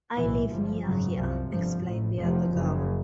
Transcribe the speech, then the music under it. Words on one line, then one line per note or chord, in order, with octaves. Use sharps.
"I live near here," explained the other girl.
B1 A2 E3
G1 G2 F3
G#1 F#2 C#3 F#3
C2 C3 F3
G1 G2 F3
A1 A2
F1 F2 C3 F3
F#1 F#2 C#3